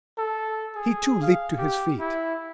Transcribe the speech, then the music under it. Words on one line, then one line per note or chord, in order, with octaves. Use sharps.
He, too, leapt to his feet.
A4
G#4
F5
G4
E4